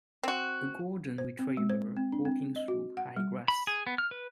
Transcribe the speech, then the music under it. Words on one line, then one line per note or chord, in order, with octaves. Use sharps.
A golden retriever walking through high grass.
C4 F#4
C5
C4
G#3
C5
C4
D4
C4
D#5
F#4
F#5
G3
B5
G#4
B3
F6
B4